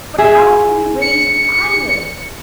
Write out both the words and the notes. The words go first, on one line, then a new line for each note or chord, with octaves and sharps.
"But how can we raise the island?"
G#4 E5
C#7